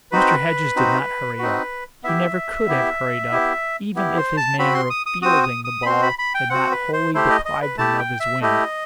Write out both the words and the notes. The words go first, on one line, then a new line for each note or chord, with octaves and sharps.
Mr. Hedges did not hurry up; he never could have hurried up, even if his manner of "fielding" the ball had not wholly deprived him of his wind.
C4 D#4 F#4 B4
C4 D#4 F#4
C4 D#4 F#4
B3 E4 G4 E5
B3 E4 G4
B3 E4 G4
B3 E4 G4
C5
A5
C4 F#4 B5
C6
D#6
D#6
C4 F#4 D#6
D#6
D#6
B5
C4 F#4 C6
B5
B5
G5
C4 F#4 F#5
B4
C5
A3 E4 G4 C5
D#5
D#5
B4
A3 E4 G4 A5
G5
E5
A3 E4 G4 D#5